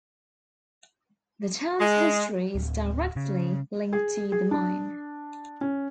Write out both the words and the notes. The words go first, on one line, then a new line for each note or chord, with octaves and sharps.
The town's history is directly linked to the mine.
G#3
D1
C#3
G#4
G#4
D4
C#4